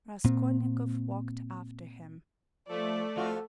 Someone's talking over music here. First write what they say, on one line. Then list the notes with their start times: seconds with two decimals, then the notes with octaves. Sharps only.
Raskolnikov walked after him.
0.24 A#2 C4
2.69 F3 A3 D5
3.16 F2 F4 F#4 A4